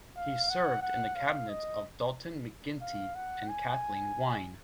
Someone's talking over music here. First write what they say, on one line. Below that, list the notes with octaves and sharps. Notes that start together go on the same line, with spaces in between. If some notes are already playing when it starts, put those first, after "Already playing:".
He served in the cabinets of Dalton McGuinty and Kathleen Wynne.
F5
F#5
F#5
F5
D#5
F5
F#5
G#5